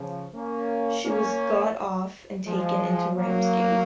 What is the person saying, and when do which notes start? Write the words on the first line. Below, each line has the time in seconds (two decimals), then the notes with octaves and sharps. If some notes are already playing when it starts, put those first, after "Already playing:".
She was got off and taken into Ramsgate.
Already playing: C#3 F3
0.34 A#3 C#4
1.05 A#3 C#4
2.45 F3 G#3
3.16 F#3 A#3